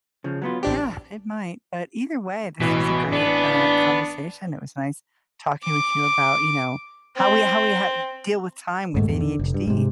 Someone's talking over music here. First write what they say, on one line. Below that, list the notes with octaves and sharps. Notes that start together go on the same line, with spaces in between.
Yeah, it might, but either way, this was a great, uh, conversation, it was nice talking with you about, you know, how we how we hav deal with time with ADHD.
C#3 F3
F#3 B3 F4
A1 C4 D4 G4
A1 B2 E3 B6
B3 D4
D6
C4
D#1 G#2 A3
E2
D3
F1
G2
G#2 C3